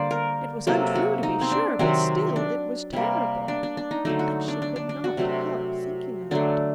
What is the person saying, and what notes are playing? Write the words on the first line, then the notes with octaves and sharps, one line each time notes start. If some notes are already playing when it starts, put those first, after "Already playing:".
It was untrue to be sure, but still it was terrible, and she could not help thinking of it.
Already playing: D3 G3 A#3 C5 D5
A#4
C3 F#3 A#3 A4
F#4
D#4
C4
D4
C3 D#3 F#3 C4
D4
C3 G3 A#3
D4
D4
D4
D#4
D3 F#3 A3 D#4
F#4
D4
D4
D4
D4
F#4
C3 F#3 A3
D3 F#3 A3 D4